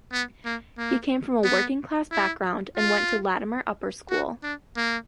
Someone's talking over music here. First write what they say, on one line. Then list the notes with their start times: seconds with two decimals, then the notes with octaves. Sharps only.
He came from a working-class background and went to Latymer Upper School.
0.13 B3
0.46 A#3
0.78 A#3
1.44 B3
2.12 E4
2.77 F4
4.10 F#4
4.44 D4
4.77 A#3